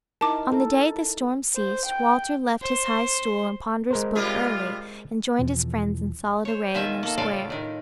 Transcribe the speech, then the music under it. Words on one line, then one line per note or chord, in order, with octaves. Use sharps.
On the day the storm ceased Walter left his high stool and ponderous book early and joined his friends in solid array in their square.
D#4 E4 A#4 A5 D6
A4
C5
G5
C5
G#3 A#4 C5
C3 G3 F4
E2 B2 E3 F3
C5 C#5
B2 D#3 F4 E5 G#5
A#3 A4
A2 C#3 F4 A4 D5 F5
A2 D#3